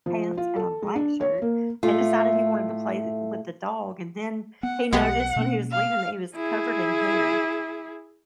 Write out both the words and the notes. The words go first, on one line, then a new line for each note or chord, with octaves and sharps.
pants and a black shirt, and decided he wanted to play the with the dog, and then he noticed when he was leaving that he was covered in hair,
F3
F4
A4
G#3
D4
C#5
A#3
A2 A3 F4
B3 F#5
B1 G#3 B3 G4 F#5
B2 A#3 C#4
F5
E4 G#4